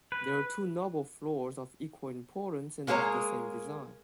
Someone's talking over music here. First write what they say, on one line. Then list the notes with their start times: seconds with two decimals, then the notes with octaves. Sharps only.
There are two noble floors of equal importance and of the same design.
0.12 B4
2.87 G#3 A#3 E4 G#4 C#5 A#5